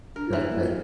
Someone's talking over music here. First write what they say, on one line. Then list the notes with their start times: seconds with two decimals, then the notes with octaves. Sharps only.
Right, right.
0.16 D4 A#4
0.33 E3
0.50 A#3
0.63 A#4